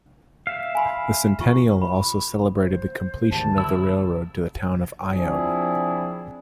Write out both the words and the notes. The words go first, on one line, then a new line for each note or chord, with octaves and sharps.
The centennial also celebrated the completion of the railroad to the town of Ione.
E5 F5
G#5 B5 C6
F4 C#6
B5
C5
G#1 D2 G3 A5
E4 E6
F3 C4 D4 E4 G#4